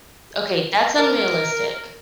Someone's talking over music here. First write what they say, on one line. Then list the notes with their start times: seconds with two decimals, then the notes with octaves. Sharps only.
Okay. That's unrealistic.
0.98 A#4